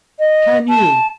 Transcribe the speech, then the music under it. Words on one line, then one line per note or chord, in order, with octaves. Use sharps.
"Can you?"
D#5
A5